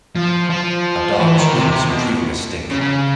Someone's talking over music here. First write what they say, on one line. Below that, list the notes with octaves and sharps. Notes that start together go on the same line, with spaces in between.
A dog swims retrieving a stick.
F3
F3
E3
D#3
C3
C3
B2
C#3
C#3